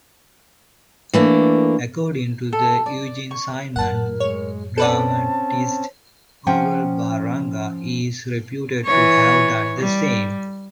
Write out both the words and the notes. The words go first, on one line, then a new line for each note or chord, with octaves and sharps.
According to Eugen Simion, dramatist Aurel Baranga is reputed to have done the same.
E3 A3 A#3 D4
A4
D5
C#6
F#2 A2 A#4 F#5 A5
G#3 C#5
C4 C#4 A4 B4 D5 A5
F3 C#4 F#5 G5
E3 C#5
G3